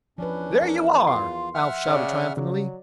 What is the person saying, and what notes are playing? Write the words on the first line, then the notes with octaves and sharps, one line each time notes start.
"There you are!" Alf shouted triumphantly.
E2 F3 C#4 D4 B4
A#4
F4 C6
E5 F#5 F6
C#3 C#5 D5
C#3 F#3